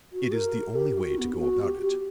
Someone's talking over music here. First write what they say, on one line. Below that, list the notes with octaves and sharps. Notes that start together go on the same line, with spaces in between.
It is the only way to go about it.
F#4
A#4
G4
F#4
B3
G4
F#4
G4
G4